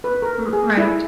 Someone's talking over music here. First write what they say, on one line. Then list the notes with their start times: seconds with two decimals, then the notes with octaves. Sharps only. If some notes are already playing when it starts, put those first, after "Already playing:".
R r right.
0.04 B4
0.22 A#4
0.53 G#4
0.77 E4